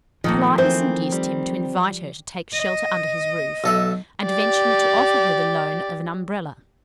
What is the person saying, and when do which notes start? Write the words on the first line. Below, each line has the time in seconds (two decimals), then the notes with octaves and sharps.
Politeness induced him to invite her to take shelter under his roof, and eventually to offer her the loan of an Umbrella.
0.24 F2 A#2 D#3 F3 A3 A#3
0.58 E3 C4 C5 E5
1.12 G3
2.53 D#5
3.64 B1 A4 E5
4.25 G4 D5